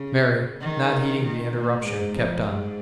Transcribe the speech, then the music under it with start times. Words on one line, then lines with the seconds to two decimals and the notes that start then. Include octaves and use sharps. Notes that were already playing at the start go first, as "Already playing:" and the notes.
Mary, not heeding the interruption, kept on.
Already playing: C#3
0.61 D#3
1.24 D#3
1.55 A#2
1.86 G#2
2.17 F2
2.48 G#2